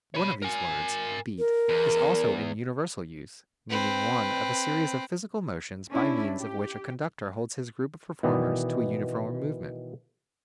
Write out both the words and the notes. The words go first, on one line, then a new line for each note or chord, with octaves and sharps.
One of these words, Beat, is also in universal use, meaning one of a series of physical motions by means of which a conductor holds his group of performers to a uniform movement.
C#5 B5
A#4 G#5
A#4
E2
C4 B4
C#4 D4 E4
G4
B2 D#3 E3 B3 D5 D#5